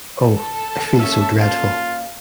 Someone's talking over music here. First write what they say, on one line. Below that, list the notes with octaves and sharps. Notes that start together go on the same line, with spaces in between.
Oh, I feel so dreadful!
A4 A5
A#3 C#4 F#4 E5
F4 F5